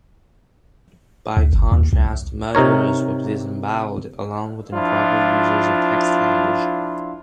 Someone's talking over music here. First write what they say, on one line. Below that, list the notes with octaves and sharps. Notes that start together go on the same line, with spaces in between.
By contrast, murderers would be disembowelled, along with improper users of text language.
D2
G1
D#2
C2
C3 D#4 A#4 C#5
F3 D4 E4 F4